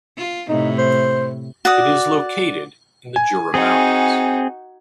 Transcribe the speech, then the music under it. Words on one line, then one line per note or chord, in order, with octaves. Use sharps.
It is located in the Jura mountains.
F4
A2 C3 D#4
C5
F#4 D5 D#6
G#5
C4 D#4 F#4 G#4